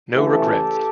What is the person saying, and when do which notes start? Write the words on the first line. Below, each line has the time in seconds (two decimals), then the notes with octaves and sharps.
No regrets.
0.14 C#3 E3 A3 G4 A4